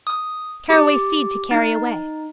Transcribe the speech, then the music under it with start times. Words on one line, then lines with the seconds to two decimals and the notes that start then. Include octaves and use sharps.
Caraway seed to carry away.
0.07 D#6
0.70 G4
1.51 D#4